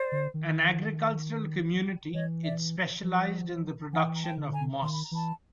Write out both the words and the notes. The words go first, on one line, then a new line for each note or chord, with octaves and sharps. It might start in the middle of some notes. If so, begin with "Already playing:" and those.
An agricultural community, it specialised in the production of moss.
Already playing: C5 D5
D3
D#3
E3 C#5 D#5
D5 E5
F3
E3 F#5 G#5
A#5
G5 A5
D3
G#5 A#5
D#3 C6
B5
A#5
E3 A5 B5